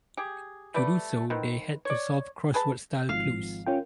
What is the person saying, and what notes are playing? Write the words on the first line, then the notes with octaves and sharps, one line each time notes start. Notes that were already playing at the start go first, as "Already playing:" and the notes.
To do so, they had to solve crossword-style clues.
G4 G#4
G3 A3 B4 D5
D#3 B3 C4
C#5 D5
G#4 B4 A5
G#1 F3 F5
C#4 F4 A#4 G5